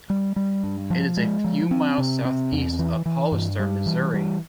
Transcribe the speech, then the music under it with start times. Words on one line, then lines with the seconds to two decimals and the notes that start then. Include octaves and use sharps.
It is a few miles southeast of Hollister, Missouri.
0.10 G3
0.36 G3
0.64 G2
0.90 F3
1.17 G#3
1.44 F3
1.71 C4
1.98 C3
2.25 C4
2.52 E2
2.79 E3
3.06 E3
3.32 G2
3.59 G3
3.86 E3
4.14 G3